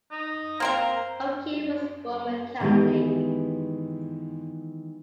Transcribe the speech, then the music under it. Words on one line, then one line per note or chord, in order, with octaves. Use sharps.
O'Keefe was Roman Catholic.
D#4
A#3 C4 A#4 C5 A#5
D#3 E3 G#3 B3 G4 B4